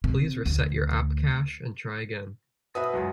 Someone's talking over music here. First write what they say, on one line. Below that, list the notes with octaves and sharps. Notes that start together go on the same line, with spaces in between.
Please reset your app cache and try again.
C3
D2
B2 B4 E5 D#6
C#2 F#2